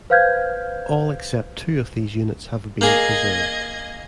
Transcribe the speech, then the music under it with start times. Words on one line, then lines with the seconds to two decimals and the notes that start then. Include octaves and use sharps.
All except two of these units have been preserved.
0.10 B4 C5 F5 F6 G6 G#6
2.81 A#3 G#4 D#5 G#6